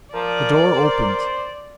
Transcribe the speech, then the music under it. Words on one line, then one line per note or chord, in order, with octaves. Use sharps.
The door opened.
F3 A#4 D5
C5